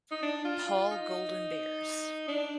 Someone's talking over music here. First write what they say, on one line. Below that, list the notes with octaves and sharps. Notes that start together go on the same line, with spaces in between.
Paul Golden Bears.
D#4
D4
F4
F4
D#4
D4